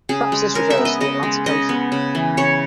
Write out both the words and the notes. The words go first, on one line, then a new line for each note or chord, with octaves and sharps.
Perhaps this refers to the Atlantic Ocean.
C#3 G#4
G#3
C#3 A#4
E5
B3
D#5
C#3 D#5
G#3
C#3 D#5
B3
C#3
E3
C#3 C#5